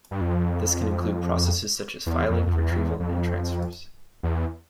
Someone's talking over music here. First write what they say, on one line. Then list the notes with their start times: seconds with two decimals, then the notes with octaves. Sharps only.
This can include processes such as filing, retrieval and transfers.
0.11 G2
0.21 F2
2.06 E2
2.30 F2
2.47 F2
2.53 E2
2.71 F2
2.77 E2
3.00 F2
4.23 E2